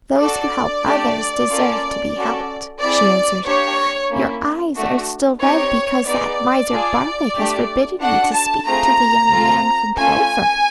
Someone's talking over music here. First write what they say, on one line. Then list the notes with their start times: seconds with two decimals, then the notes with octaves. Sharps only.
'Those who help others deserve to be helped,' she answered; 'your eyes are still red because that miser Barbaik has forbidden you to speak to the young man from Plover.
0.19 D4 F#4 A4 D5
0.85 A3 D4 G4
1.50 A#3 C#4 F4 A4
2.15 C#4 F#4 A4
2.80 C4 E4 G#4 D5
3.45 A#3 D4 G4 C#5
4.10 A#3 C#4 E4
4.76 A3 D4 F#4
5.40 C4 D#4 G4 C#5
6.06 B3 D#4 G#4 D5
6.71 D4 F4 G#4
7.36 A3 D4 G4
8.01 D4 F#4 A4 F#5
8.33 A5
8.66 A3 C4 F4 G#4 A#5
9.31 C4 F4 A4
9.96 A3 C#4 F4 A4 G#5